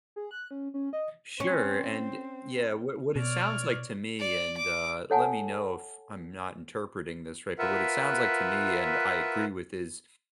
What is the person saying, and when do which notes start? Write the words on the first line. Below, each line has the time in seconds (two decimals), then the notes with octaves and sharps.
Sure, and yeah, what what it sounds like to me, and, uh, let me know if I'm not interpreting this right, but what it sounds like to me, and I agree with is,
0.16 G#4
0.31 F#6
0.51 C#4
0.74 C#4
0.93 D#5
1.40 C4 C#4
3.16 B2 C#5 D5 F6
4.20 D5
4.58 D6
5.10 A4 C#5 F#5 G#5 A5
7.59 F4 A#4 B4 E5 F#5